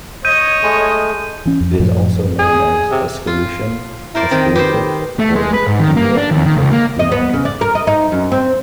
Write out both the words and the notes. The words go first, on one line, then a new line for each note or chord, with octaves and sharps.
It is also known as "Eskaleutian", "Eskaleutic", or "Inuit-Yupik-Unangan".
C#5 D#5 G6 D#7
G#3 A3
E3 C#4
F2
F#2 A2 F3
G#4
C3
F4
E4 A#4 C5 D5
D#3 C4
G4 B4 C5
A3
G#3
B4
G#2
D#3
A#3
D4
D#2
D#3
C#2
A#3
D#5
B3
C#3
D5
A#4
D#5
D#4
F#2
C4